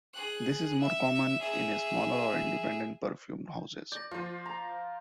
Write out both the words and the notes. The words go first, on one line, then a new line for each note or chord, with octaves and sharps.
This is more common in smaller or independent perfume houses.
G#4 F#6
E5
G#4 E5
D5 G6 A#6
F3 F4 C5
A#5